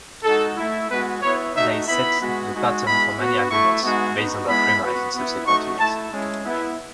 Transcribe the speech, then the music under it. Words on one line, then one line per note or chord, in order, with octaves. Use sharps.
They set the pattern for many arguments based on that premise in subsequent years.
G#3 D#4 F#4 A4
A3 E4
G#3 B3 F#4 B4
B3 E4 C#5
A3 D#4 F#4 E5
B3 E4 B5
G#3 B3 F#4
G#3 D#4 F#4
G#3 B3 E4 B5
B3 F#4
A3 E4 C#6
G#3 B3 D#4 F#4
B3 D#4 F#4
G#3 B3 E4 B5
B3 F#4
B3 E4
A3 D#4 F#4 C#6
A3 E4 A5
G#3 C#4 E4
B3 E4